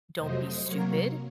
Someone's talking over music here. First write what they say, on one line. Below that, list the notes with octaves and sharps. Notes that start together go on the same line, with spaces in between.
don't be stupid,
F2 C3 F#3 A3 C5 D#5
C3 F#3 A#3 A#4 C#5